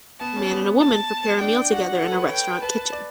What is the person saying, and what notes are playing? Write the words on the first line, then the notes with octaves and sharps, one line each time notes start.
A man and a woman prepare a meal together in a restaurant kitchen.
B3 A5
C#4
B3
A5
D4 G5
F#4 F#5
A4
B4
C#5
G5
B4 A5
B4
D5